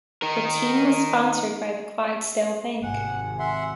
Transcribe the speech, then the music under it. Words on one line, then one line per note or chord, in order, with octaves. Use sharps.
The team was sponsored by the Clydesdale Bank.
D#4 A#4
G#1 C3 F#5 G#5
E5 F#5 C6